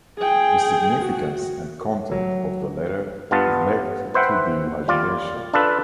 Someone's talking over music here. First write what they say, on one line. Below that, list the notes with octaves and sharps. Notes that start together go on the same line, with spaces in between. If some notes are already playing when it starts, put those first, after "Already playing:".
The significance and content of the letter is left to the imagination.
G#4 G5
F#4
F#3
G2 B3 F4 A5
B4 C5 E5 F#5 G5
G3 F4 D5
D4 F4 A4 B4